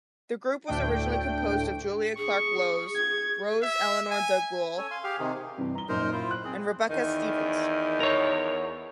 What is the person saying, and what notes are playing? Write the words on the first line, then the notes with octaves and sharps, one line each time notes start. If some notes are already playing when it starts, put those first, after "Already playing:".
The group was originally composed of Julia Clarke-Lowes, Rose Elinor Dougall and Rebecca Stephens.
D2 A2 A3 D4 G5 D7
G#4 C#6
G#6
E5
G#5
C#4 A4 C#5 G#5
F5 C6
G4 G#4 F5
C3 D#3
G2 C3 E3
A#5 G7
F#2 A#2 D#4 A#4 C5
E4 F4 C5
F#6
C4 G#4
E2 D#3
A#4 C#5